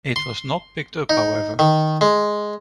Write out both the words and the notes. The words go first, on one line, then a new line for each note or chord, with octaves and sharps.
It was not picked up, however.
C6
D#4
D#3
G#3